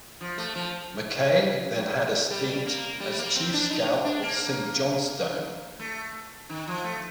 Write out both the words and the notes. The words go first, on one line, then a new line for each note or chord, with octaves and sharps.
Mackay then had a stint as chief scout of Saint Johnstone.
F3
A3
F3
G3
A#3
G3
A#3
C4
D4
D#4
D4
A#3
A3
D#3
F3
A3